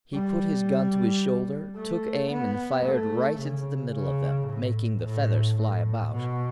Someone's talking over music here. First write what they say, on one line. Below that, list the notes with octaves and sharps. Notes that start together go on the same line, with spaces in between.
He put his gun to his shoulder, took aim and fired right into the middle of them, making the feathers fly about.
G3
A3
B3
A3
C#3
C#3
A2
A2
A2
B2